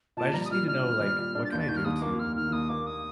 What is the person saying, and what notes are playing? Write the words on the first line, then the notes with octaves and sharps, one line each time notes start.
But I just need to know, like, what can I do to, uh,
A#2 A5
G3 A#5
D#6
A#2 F6
D4 F6
A#2
G3
A#2
D4
A6
D#2 G6
A6
D#3 G6
F6
D#2 D#6
A#3 D6
D#2 F6
D#3 F6
D#2 D#6
A#3 D6
D#6